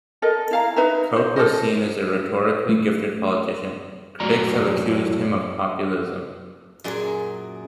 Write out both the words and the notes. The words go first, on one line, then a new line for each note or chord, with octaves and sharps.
Koch was seen as a rhetorically gifted politician; critics have accused him of populism.
A4 A#4 D#5
E4 F5 A#5
D#4 B4 E5 A#5
C5 D#5
A4 A#4 C5 D#5
A3
F#2 A2 F#3 D5 A#5
F#2 A#2 G#4